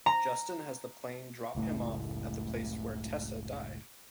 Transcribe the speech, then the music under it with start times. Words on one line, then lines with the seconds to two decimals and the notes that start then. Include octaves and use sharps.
Justin has the plane drop him off at the place where Tessa died.
0.06 A#5
1.55 F#1 C#2 A2 A3